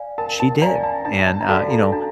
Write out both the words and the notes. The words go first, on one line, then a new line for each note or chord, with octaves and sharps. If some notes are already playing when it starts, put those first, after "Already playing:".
she did, and, uh, you know,
Already playing: D5 F5 G#5
A#4 A5
A5
D5 F5 G#5 A#5
A5
D4 A5
A5
A#5
F#4 A4 D5 F5 A5
A#5
D4 A5